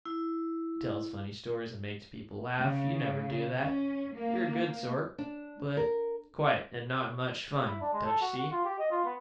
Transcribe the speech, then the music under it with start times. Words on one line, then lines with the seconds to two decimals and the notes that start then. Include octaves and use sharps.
She tells funny stories and makes people laugh; you never do that--You're a good sort, but quiet and not much fun, don't you see?
0.05 E4
2.59 C#3
3.58 C#4
4.14 A#3
5.18 D4
5.77 A#4
7.66 E4
7.81 D4
7.93 G#3
8.04 A4
8.21 F#4
8.37 F#4
8.51 F4
8.65 G4
8.79 D#5
8.91 F4
9.05 B3